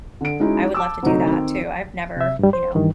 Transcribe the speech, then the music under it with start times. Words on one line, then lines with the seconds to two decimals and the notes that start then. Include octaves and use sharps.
I would love to do that too. I've never, you know
0.21 D3 D7
0.40 G#3 C#4 D#4 E4 F#4
0.75 A5 D6 E6
1.03 D2 C3 F#3 D#4
1.27 D#3 C4
2.17 C3 E5
2.39 G2 G3
2.53 C5
2.75 G2 D#3 E3